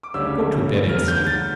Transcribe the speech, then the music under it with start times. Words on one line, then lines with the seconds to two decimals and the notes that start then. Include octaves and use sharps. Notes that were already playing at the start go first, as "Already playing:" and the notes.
Go to bed and sleep!
0.03 D6
0.14 D2 C#3 G3 C#4 E6
0.89 F6
1.08 G6
1.27 A6